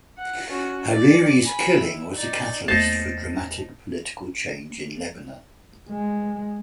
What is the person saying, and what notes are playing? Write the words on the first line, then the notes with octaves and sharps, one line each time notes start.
Hariri's killing was a catalyst for dramatic political change in Lebanon.
F#5
C#4 F#4
D5
G#5 B5
E4
D#4 D5
E2 A3 A#3 D#4 C5 A5
G#3